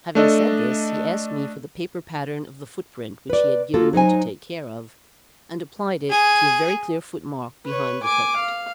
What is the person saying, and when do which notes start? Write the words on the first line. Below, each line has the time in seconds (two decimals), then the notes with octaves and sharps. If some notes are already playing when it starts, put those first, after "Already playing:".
Having said this, he asked me for the paper pattern of the footprint which he had given me to take care of, and applied it to a very clear footmark behind the thicket.
0.15 A3 D4 A4 D#5
3.30 B4 D5
3.74 A#3 F4 F#4 A4
3.93 F#3 D#4 C5 G#5
6.09 G#4 G#5
7.65 B4 C#5
8.03 G#5 D6
8.36 F5